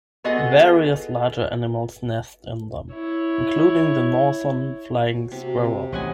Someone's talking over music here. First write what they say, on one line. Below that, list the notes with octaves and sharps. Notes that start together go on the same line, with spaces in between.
Various larger animals nest in them, including the northern flying squirrel.
B3 F4 F#4 G#4 A4 D#5
E4 C#5
F#4
C3
C4
A1 C#5 D#5 F#5 G#5